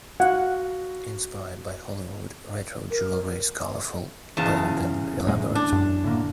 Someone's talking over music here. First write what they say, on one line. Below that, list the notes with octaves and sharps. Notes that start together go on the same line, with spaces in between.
Inspired by Hollywood, Retro jewelry is colorful, bold and elaborate.
F#4 F5 F#5
A#4
E2 C#3 A5
D2 A2 G#3
D4
F#2
A2 D3 A#3